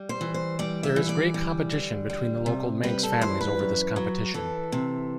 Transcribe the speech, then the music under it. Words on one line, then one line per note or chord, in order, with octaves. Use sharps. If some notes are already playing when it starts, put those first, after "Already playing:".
There is great competition between the local Manx families over this competition.
Already playing: G3
C5
E3
C5
G3 D5
E5
E3
D5
G3
D3
G3
C3
G3 B4
A4
E3 C5
B4
F#2
F#3
E3 A4
C3